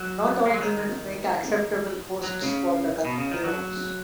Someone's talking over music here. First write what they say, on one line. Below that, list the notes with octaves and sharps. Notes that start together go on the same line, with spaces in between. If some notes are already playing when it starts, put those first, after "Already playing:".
Not all humans make acceptable hosts for the Ganglions.
Already playing: F#3
G#3
F#3
D#3
F#3
C#3
B2
C#3
D#3
F#3